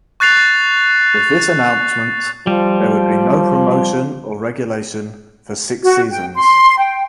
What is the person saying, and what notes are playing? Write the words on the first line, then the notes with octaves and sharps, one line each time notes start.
With this announcement there would be no promotion or regulation for six seasons.
C#6 F#6 A6 C7 F7
F3 G3
F#4
G5
C6
G5